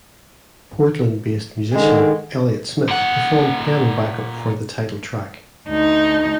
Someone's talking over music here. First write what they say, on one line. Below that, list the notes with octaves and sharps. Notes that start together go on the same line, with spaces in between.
Portland-based musician Elliott Smith performed piano backup for the title track.
D3 D#3 G#3
A#2 F#5
D2 D#4